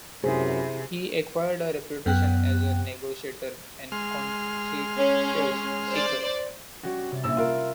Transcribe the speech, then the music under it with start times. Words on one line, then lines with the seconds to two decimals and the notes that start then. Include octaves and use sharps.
He acquired a reputation as a negotiator and consensus seeker.
0.24 F#2 C3 E4 G#4 C5
2.06 F#2 B3 G5 F#6
3.92 G#3 C6 F6
4.97 C#4
5.88 C5 D5
6.83 G3 C#4 F#4
7.11 C3 C#4 A6
7.24 A#1 C#4 E4 E6
7.37 F4 A#4